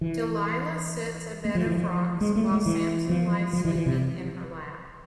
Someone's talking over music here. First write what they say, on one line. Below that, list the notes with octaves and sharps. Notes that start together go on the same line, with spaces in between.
Delilah sits a bed of rocks while Samson lies sleeping in her lap.
E3
A3
F3
E3
F3
G#3
A3
G#3
E3
F3
F3
E3
E3
C3